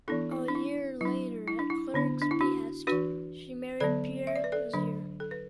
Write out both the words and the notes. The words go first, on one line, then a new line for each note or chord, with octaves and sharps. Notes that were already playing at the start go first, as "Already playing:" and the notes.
A year later, at Clergue's behest, she married Pierre Lizier.
E3 B3 D4 E4 A4
E4
D4
E4
F#3 D4 E4
E4
D4
E4
D3 B3 D4
D4
E4
D4 F#4
E3 D4 F#4 B4
D3 F#3 B3 A4 D5
E5
D5
B4
A4 D5
D3 F#3 D4
A4
B4